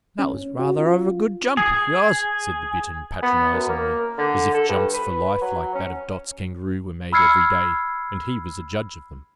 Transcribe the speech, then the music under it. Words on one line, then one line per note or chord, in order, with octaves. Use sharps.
"That was rather a good jump of yours," said the Bittern, patronizingly, as if jumps for life like that of Dot's Kangaroo were made every day, and he was a judge of them!
C#4
F#4
F4
G#4
B3
F#2
A#3
D3
A4
G2
B4
F#3
C#4
B5 E6 F6 G#6 C7 C#7